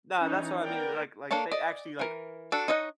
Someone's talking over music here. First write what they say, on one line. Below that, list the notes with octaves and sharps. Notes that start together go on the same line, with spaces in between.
No, that's what I mean, like like, they actually, like,
E3 C#4 D#4
B3 A#4 D5 G5
A#3 D4 A4 C#5 A5
D5 D#5
E3 A#4
D4 F#4 A4
D#4 C#5 D#5 E5 F#5